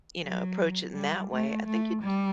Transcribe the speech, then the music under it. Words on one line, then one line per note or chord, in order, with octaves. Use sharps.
you know, approach it in that way, I think it
F#3
G3
A3
A3
G3